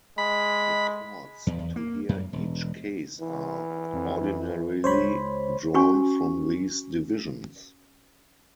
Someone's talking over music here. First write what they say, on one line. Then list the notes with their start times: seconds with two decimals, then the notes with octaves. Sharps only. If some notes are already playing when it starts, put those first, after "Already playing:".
The courts to hear each case are, ordinarily, drawn from these divisions.
0.18 G#3 B5
1.47 E2
1.59 E2
1.76 A#3
2.09 F#2
2.33 E1
3.21 E3
3.93 F2
4.84 C#2 C5 C#5 B5
5.74 C#4 F#4 G#5 C#6